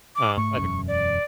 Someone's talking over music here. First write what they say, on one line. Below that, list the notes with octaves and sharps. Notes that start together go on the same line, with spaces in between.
um, I think,
D6
G#2 A3 C#6
E1 F#2 C#4
D5